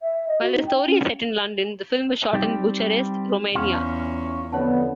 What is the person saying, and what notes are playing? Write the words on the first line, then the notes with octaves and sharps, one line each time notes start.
While the story is set in London, the film was shot in Bucharest, Romania.
E5
D#5
F#4
D#4
G5
C#4
G3 C4 D#4 G4
E2 C#4 F4
F2 D3 B3 C#5 F#5 A5